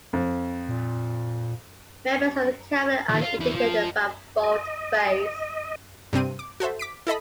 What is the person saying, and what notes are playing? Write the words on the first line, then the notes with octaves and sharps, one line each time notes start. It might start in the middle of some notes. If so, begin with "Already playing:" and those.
Members of the Cabinet are indicated by bold face.
F2
A#2
A#2 D#3
F4
E2 E4
F3
D#5
G2 C3 C4 D#7
D6
F#4 A4 C5 E5
D6 B6 D7
E4 A4 D#5 B5